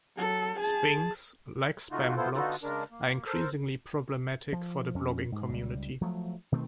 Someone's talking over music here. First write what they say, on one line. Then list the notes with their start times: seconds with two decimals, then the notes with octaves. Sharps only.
Spings, like spam blogs, are increasingly problematic for the blogging community.
0.16 F#3 A4
0.57 G#4 A5
1.91 C#3 A3 D#4 F4 F#4
2.17 B3 E4 F4 A4 C5
2.35 D3 B3 D#4 F4 F#4 A4
2.63 C#3 G#3 D4 A#4
2.91 A#3
3.26 A4 A#4 C5
4.53 F3
4.94 F2 C#4
5.32 G#2
5.49 C#2 G3
6.01 F3 F#3 A3
6.52 B2 D#3 A3 C4